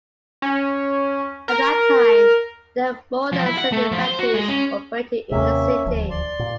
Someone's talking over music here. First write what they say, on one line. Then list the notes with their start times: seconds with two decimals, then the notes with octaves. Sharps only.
At that time, there were more than seventy factories operating in the city.
0.42 C#4
1.48 A#4
3.33 F3
3.46 E4
3.59 F#5
3.72 A3
3.92 F3
4.04 C5
4.19 F#4
4.34 G#3
4.48 C#4
5.31 D#2 C3 A#3 C#4 E5
5.86 D#1 D2 F3
6.10 D5 C6
6.39 A#2